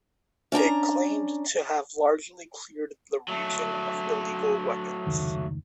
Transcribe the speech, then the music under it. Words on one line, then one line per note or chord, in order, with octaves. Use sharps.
It claimed to have largely cleared the region of illegal weapons.
C#4 D4 G5 A#5
F#3 A3
F1 C#2 D#3